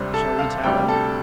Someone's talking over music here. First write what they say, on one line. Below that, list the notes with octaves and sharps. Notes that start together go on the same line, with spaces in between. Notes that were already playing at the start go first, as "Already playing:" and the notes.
"Shall we tell her?"
Already playing: C2 C3 G3 D4 C5 C6
A4 A5
F5
D2 C3 G3 D4 G5
A4 A5